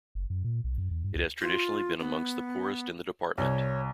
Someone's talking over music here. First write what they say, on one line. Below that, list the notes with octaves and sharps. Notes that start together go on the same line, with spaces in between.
It has traditionally been amongst the poorest in the department.
F#1
F#2
A#2
B1
F#2
E2
G2
C#2
F4
B3
C2 C#5